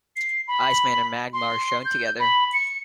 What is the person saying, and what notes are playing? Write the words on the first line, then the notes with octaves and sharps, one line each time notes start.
Iceman and Magma are shown together.
C7
B5
C6
G6
B5
C#7